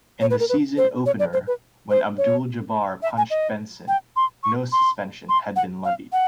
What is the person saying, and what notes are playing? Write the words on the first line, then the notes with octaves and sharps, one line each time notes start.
In the season opener, when Abdul-Jabbar punched Benson, no suspension had been levied.
C#5
B4
A#4
B4
C5
C#5
D5
C5
B4
C5
C#5
E5
G#5
D#5
G5
C6
C#6
C6
C6
F#5
F5
F#5